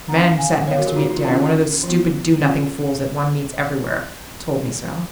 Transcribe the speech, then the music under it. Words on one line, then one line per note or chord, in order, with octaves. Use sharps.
A man who sat next me at dinner,--one of those stupid do-nothing fools that one meets everywhere,--told me so.
F#3 A#3 C#4 F#5 A#5
F5 G#5
F#3 B3 C#5 F5
F#4 A#4
F4 G#4
D#4 F#4
F4
D#3 A#3 C#4 F4
F3 B3 F4
D#3 A#3 C#4 F4